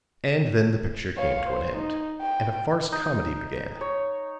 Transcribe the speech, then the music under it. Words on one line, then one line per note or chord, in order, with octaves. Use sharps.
And then the picture came to an end, and a farce-comedy began.
C#5 F5
C5
D#4
G5
D#4
C#5